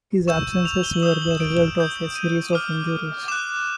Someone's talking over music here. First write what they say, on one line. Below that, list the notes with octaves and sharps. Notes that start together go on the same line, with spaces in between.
His absences were the result of a series of injuries.
C#6 E6 G6 E7
F7
G7
F#7
D#6 G6 E7
F7
F#7
E7
D7
D#6 G6
D#7
D6 F6
D6 F#6 E7